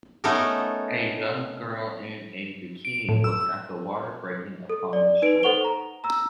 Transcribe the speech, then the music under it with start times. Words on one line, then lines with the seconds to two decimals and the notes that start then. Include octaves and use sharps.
A young girl in a bikini looks at the water breaking upon the shore.
0.24 A3 B3 C#4 D#4 A4 A#4
2.85 D7
3.09 A2
3.24 E6
4.70 A4
4.93 D5
5.22 D#4 B4 D7
5.43 A4 C5 F#5 C#6 F7 G7
5.64 A#5
6.04 A#5 E6